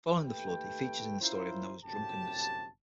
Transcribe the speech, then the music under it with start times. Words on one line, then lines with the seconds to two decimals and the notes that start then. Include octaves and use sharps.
Following the Flood he features in the story of Noah's drunkenness.
0.22 D#2 A3 G4 B4 G5
1.21 C#4 E4 F4 A#4 C5
1.85 G1 F#2 A2 C3 G4 A5